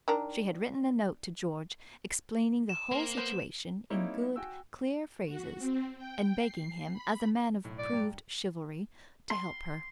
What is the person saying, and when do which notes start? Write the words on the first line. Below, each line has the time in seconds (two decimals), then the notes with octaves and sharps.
She had written a note to George, explaining the whole situation in good, clear phrases and begging him as a man of proved chivalry to help her.
0.08 D#3 D4 A#4
2.69 E7
2.92 A#3 C4
3.17 B3 B4 C5
3.90 G3 A#3 C4 D#4 E4 C#5
4.36 F#4 G5 G#5 E6
5.26 F#4
5.59 C4
5.98 G5
6.37 C7
6.93 B5
7.64 B1 A2
7.78 D5
7.92 G2 G5 A#5
9.30 C6